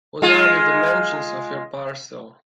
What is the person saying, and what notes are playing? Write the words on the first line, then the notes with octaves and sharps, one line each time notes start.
What are the dimensions of your parcel?
G#3 F4